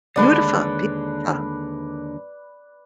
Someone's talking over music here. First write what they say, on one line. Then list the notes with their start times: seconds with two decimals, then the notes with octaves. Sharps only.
Beautiful, beautiful.
0.16 D#2 D3 G#3 B4 D5